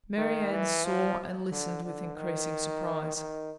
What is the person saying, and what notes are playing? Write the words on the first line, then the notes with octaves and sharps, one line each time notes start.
Marianne saw and listened with increasing surprise.
D#3
E3
F3
D3
D3
D#3
D#3